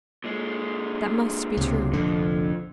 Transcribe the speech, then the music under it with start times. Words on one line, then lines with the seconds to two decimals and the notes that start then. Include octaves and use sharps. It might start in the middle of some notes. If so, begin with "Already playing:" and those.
That must be true.
0.24 A#2 G#3
1.57 C#2 C3
1.93 F1 A#1 F2 D3